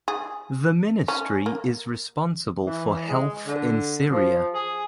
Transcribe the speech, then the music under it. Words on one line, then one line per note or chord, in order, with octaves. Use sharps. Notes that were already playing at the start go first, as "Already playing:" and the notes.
The ministry is responsible for Health in Syria.
G#4
C#4
A#3
E3
G#3
D3
F3
G#4